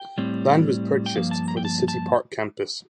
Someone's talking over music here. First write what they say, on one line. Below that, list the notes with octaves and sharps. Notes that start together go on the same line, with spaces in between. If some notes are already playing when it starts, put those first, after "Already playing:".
Land was purchased for the City Park Campus.
Already playing: G5
A2 G3 C4
G5
G2 F3 A#3 F5
A5
A#5
G5
A5
A5